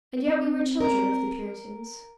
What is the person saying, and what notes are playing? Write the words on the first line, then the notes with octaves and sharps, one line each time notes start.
And yet we were children of the Puritans.
C4
A#4